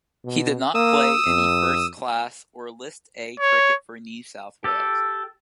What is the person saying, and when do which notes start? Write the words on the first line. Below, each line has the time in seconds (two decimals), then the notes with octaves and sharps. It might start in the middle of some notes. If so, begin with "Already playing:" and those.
He did not play any first-class or List A cricket for New South Wales.
0.24 B2
0.75 A#3 D#6 E6
1.26 F2
3.40 C#5
4.64 G4 A4